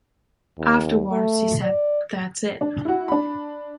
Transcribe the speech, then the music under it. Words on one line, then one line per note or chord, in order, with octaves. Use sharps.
Afterwards he said, that's it.
D#2
A3
D5
D4
E4 F#4
D4 B5